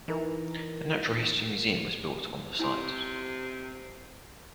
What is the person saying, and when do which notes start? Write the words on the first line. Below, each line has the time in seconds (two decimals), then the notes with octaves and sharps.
The Natural History Museum was built on the site.
0.08 E3 D#4 A#4
2.59 C3 E4 G#5 C6